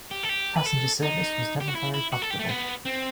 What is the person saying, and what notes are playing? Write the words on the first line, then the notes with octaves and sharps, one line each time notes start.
Passenger service was never very profitable.
G4
A4
G4
B4
A4
D#4
G4
F#4
E4
E4
F#4
A4
G4
A3
B3
C4